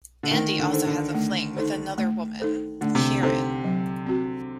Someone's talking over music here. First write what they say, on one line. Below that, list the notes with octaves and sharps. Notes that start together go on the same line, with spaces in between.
Andy also has a fling with another woman, Keiran.
D3
D#3 A3
D3
D#4 A4 C5
D3
A3
D#4 A4 C5
A3
D#4 A4 C5
D3 A3
C3
C3 D#4 A4 C5
F#3
C4 F#4